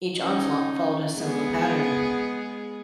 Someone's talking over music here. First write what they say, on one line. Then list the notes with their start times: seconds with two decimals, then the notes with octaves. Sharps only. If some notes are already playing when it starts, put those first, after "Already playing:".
Each onslaught followed a similar pattern.
0.17 C#4 D#4
1.17 G#3 B3 G#4